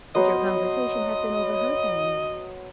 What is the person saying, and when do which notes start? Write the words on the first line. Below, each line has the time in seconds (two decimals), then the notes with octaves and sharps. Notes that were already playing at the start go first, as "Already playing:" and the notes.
"Could your conversation have been overheard by any one?"
0.15 F#3 B3 C5 D#5